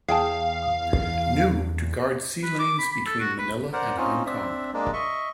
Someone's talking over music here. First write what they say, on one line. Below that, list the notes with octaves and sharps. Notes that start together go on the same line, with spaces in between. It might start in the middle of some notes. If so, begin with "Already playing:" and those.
New to guard sea lanes between Manila and Hong Kong.
E2 G#4 F5 G5 A5
B4
D6
B5
B5
A4
F#4
B4
A#4 C5 D5 F#5
C4 C#4 D#4 F4
C4 D4 E5
G#3 A#3 D4
D#5 E5 C#6